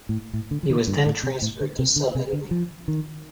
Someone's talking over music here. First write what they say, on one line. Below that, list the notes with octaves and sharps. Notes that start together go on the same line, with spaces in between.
He was then transferred to subediting.
A2
A2
D3
F3
D#3
G2
A2
C3
A2
D3
C3
D3
C3
D3
F3
D#3